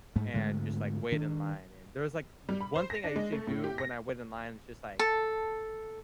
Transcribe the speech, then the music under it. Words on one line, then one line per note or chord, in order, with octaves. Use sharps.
and just, like, wait in line, and there was, like o one thing I usually do when I wait in line is just, like
G#2 G#3 A3
G#2 D3 G#3 A3
D#3 D4
G3
B5
C5
A#6
D4
G#3
A3
A2
G4
A#6
A4